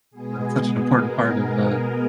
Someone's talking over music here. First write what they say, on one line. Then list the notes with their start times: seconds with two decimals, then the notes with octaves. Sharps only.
that's such an important part of, uh
0.11 B2 G#3 B3 G#4
0.92 A#4